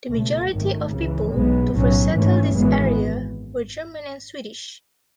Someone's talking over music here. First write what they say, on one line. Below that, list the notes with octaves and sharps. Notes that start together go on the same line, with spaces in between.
The majority of people to first settle this area were German and Swedish.
C#2 B2 A3
G#1 F#2 D#3 A3
C#2 C#3 E3
B1 B2 G#3 B3
B1 A2 F#3 C#4
G#1 G#2 E3 A3 C#4
G#1 F#2 E3 G#3 B3